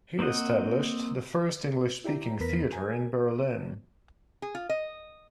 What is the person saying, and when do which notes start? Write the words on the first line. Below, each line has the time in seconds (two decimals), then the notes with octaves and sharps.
He established the first English-speaking theater in Berlin.
0.19 A#3 C4 C5 D#5 F#5
2.04 E4 G4 D5 A#5
2.40 E2 B3 A#4 B4 B6
2.73 A#4 G#5
4.42 G#4
4.55 F4
4.69 D#5